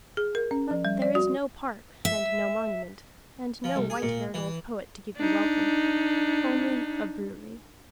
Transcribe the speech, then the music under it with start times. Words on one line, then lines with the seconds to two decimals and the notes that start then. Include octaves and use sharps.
But there is no park, and no monument, and no white-haired old poet to give you welcome--only a brewery.
0.17 G#4
0.35 A#4
0.51 C#4
0.71 F3
0.85 G3
1.02 D5
1.15 F#4
2.05 E5
3.64 F3
3.76 C2
3.90 G#4
4.02 A#2
4.34 E3
5.17 D4 D#4